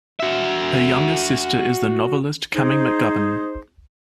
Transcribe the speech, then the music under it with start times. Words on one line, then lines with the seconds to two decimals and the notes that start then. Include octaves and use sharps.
Her younger sister is the novelist Cammie McGovern.
0.20 F#4 E5
2.56 D#4 G#4 C5